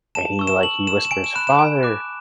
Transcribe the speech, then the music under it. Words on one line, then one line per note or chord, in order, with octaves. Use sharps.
and he, like, he whispers, "Father,"
A5 E7
C#6 E6
E7
A5 F#7
E6 E7
E7
G#5 D7
E7
B5 F#6 E7
E7
G#5
D6 F#6